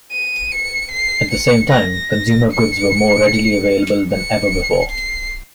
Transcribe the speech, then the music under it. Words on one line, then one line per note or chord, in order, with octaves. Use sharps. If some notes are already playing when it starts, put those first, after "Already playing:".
At the same time, consumer goods were more readily available than ever before.
D#7
C#7
C7
C#7
A#6
C#7
C#7
C7